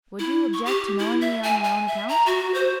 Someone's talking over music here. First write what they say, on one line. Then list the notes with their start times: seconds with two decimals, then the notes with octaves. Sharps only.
"Would you object to knowing me on your own account?"
0.19 E4
0.53 C#6
0.66 G4
0.99 E4
1.21 E5
1.43 G#5
1.64 G#5
1.87 E5
2.09 A#5
2.26 F#4
2.54 C5